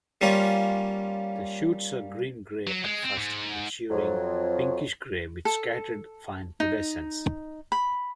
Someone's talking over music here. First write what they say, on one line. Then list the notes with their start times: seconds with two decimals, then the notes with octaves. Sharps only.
The shoots are green-grey at first, maturing pinkish-grey, with scattered fine pubescence.
0.21 G3 A#3 C#4 F4
2.67 F#3
2.85 G#3
3.03 C4
3.18 G#2
3.91 F2 F#3
5.45 A4
6.60 D#4
7.72 B5